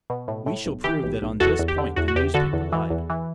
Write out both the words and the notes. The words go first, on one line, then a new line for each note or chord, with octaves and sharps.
We shall prove that on this point the newspaper lied.
B2
A2
A2
B1
E3 G4
B1
B1
E2 F#4 A4
E2
G4
D3
E2 F#4
F#4
E2 G4
D3 F#4 A4
E2
E3
E2
E3